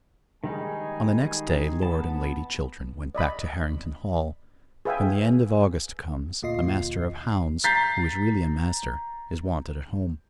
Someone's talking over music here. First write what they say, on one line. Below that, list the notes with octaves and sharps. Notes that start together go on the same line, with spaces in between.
On the next day Lord and Lady Chiltern went back to Harrington Hall. When the end of August comes, a Master of Hounds,--who is really a master,--is wanted at home.
D#3 G3 G#3 D#4 G#4 G#5
B3 A5
D5 D#5 B5
G#4 B4 E5 F5 G5 G#5
D2 A#2 F4 D#5 C7
A#5 G6 A6 B6 C7